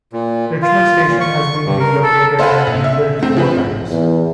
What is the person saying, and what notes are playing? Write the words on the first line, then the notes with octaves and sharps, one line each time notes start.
Richmond station has been relocated and rebuilt four times.
A#2
F4
A#2
C#6
G2
A#4
A4
A4 C5 F5 F#5 G#5 B5
A#1
E5
A3 C4
F3 C4 B4
E2